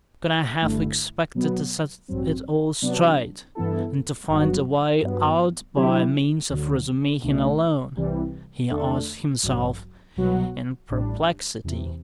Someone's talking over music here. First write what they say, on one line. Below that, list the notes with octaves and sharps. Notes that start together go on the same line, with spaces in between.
"Could I have expected to set it all straight and to find a way out by means of Razumihin alone?" he asked himself in perplexity.
G1 G2 D3 A3 E4
B2 F#3 B3
A1 G2 F#3 C4
C3 F#3 B3 D4
G2 E3 B3 E4 A4
G1 G2 F#3 B3 F#4
G2 F#3 B3
D3 F#3 C4 E4 G4
D2 D3 F#3
C2 B2 A3 D4
C2 C3 E3 G3
E2 D3 A3 D4 A4
A1 G2 F#3
C2 B2 F#3 B3 F#4
A1 A2 G3 D4
E2 C3 E3